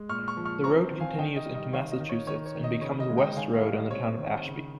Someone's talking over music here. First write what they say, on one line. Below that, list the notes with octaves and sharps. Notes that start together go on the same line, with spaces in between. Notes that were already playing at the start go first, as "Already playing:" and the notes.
The road continues into Massachusetts and becomes West Road in the town of Ashby.
Already playing: G#3
A#2 C#6 F6
C#6 F6
F3
C#6 F6
C4 A#5 C#6
D#3
F5 G#5
D#3 D#5 G5
D#5
G3
D#5
D#3 C#5 F5
D#5
D#3
C#5
D#3 C#5
C#5
D#3
D#5
C#3 C#5
D#5
G#3
D#5 G5
D#3 F5 G#5
C#5 F5
G3
D#5
C4 C#5
D#3
C#3